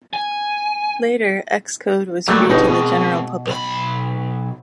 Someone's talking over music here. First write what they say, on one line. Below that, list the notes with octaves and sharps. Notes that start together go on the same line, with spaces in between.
Later, Xcode was free to the general public.
G#5
F#2 F#3 G3 A3 A#3
G1 B2 G#3 C4 D#4
B2
B1 B5